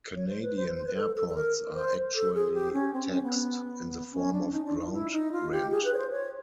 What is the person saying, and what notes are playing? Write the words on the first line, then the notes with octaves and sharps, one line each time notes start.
Canadian airports are actually "taxed" in the form of ground rent.
C#5
C5
B4
C5
C5
B4
A4
A4
A4
A#4
C5
A4
G#4
G4
C#4
C4
C#4
B3
C#4
D4
D#4
D4
D#4
F4
E4
D#4
F4
G4
G#4
B4
C#5
C5
C#5